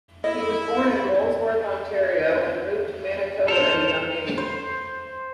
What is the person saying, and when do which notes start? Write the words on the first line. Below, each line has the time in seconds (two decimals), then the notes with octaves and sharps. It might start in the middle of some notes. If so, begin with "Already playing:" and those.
He was born in Molesworth, Ontario, and moved to Manitoba at a young age.
0.24 E4 D#5
3.48 A4 A#4 C5 F7
4.38 C5